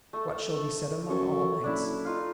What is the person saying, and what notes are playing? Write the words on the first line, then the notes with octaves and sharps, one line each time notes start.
What shall be said among all knights?
A3 A4
F#2 A4 C#5 A5
F#1 D4 E4 B5
D#4 F4 F5